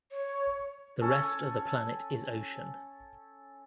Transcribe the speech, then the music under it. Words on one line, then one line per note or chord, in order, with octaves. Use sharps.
The rest of the planet is ocean.
C#5
C#4 A4